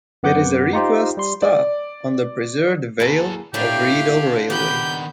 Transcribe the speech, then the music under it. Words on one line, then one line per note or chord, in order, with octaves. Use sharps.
It is a request stop on the preserved Vale of Rheidol Railway.
F#2 B3 F#5 D6 G6
D#4 F4 G4 C5
G3 C6
D5
E2 A#3 A4 B4
A2 D3 A3 A#3 G4 F5 G5
D#3 B3 D4 G4 B5 G6